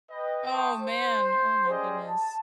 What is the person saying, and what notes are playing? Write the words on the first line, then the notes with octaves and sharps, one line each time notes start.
Oh man, oh my goodness.
B4 D#5 G5
E5 G5 A5 C6 C#6 D#6
C5
C#4 G4 G#4 C5 D5 D#5
A5